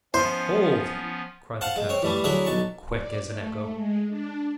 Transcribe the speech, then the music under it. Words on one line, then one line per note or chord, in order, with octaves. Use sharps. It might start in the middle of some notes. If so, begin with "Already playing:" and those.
"Hold!" cried the captain, quick as an echo.
F3 B3 C#4 E4 C5 C6
C5 F5 F#5 A5
G#3
C4 C#5
E3 G3 A3
D3 F#3 E4 G#4 E5 G#5
B1 A5 C#6
D5
A3
G#3
D4